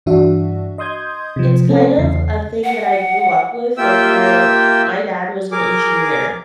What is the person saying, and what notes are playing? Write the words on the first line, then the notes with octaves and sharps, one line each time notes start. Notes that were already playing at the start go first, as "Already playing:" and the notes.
it's kind of a thing that I grew up with, like, my my dad was an engineer.
G2 E3 D4 F#4 E5
D#5 C6 D#6 G6 G#6
C3 F3
A3 C4 C#4 A4
E2 C#3 C7
F#5
A#3 F4 G4 E5 G5 E6
G#4 A#4 D6